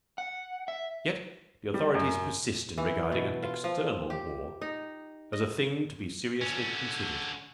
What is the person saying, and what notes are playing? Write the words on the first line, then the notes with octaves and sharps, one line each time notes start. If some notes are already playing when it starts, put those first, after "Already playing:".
Yet the authorities persist in regarding an external war as a thing to be seriously considered.
F#5
E5
G3
F#2
E3
B2
F4
F3
G4
D#4
D#5
D3 C#4